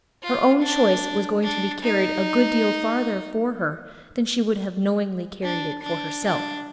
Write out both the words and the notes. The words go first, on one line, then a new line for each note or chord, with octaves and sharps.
Her own choice was going to be carried a good deal farther for her than she would have knowingly carried it for herself.
F4
D4
D4
D#4
D4
D4
D4